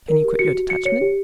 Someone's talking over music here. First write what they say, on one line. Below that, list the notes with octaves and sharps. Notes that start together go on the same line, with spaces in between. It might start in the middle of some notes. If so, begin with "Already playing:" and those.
"Can you quit your detachment?"
A#4
G4
F#4 C#7
F#4
F#4 C#7
C#5 C#7
G4